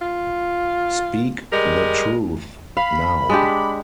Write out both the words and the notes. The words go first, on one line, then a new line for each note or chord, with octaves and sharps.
Speak the truth, now.
F4
G3 G#3 A#4
F5 B5
G#3 D4 G4